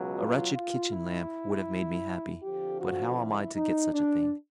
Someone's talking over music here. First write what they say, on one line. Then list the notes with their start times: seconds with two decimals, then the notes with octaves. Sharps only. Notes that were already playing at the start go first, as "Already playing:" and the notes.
A wretched kitchen-lamp would have made me happy, but how am I to get such a thing?
Already playing: C#2 B2 F#3
0.16 F4
0.53 F4
0.91 E4
2.42 F2 D3 F3 G4
2.79 F#4
3.17 E4
3.55 D#4
3.93 D4